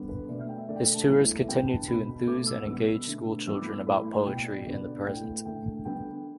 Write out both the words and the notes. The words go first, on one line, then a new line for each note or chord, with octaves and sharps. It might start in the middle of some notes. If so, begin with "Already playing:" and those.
His tours continue to enthuse and engage school children about poetry in the present.
Already playing: D3 G3 B3
B4
B2 A3 D5
E5
G5
E5
D3 A3 D5
G5
E5
A5
A2 G3 B3
E5
D3 G3 B3 G5
A5
B2 B3 B5
B2 A3 D6
E6
B2 G3 B3 E6
D3 A3
A2 G3 B3 E6
D6
B5
D6
A2 E3 A3 B5
B2 B3 G5
D5
D3 B3 D5
A2 A3 G5
D3 A3 G5
D3 G3 B3 G5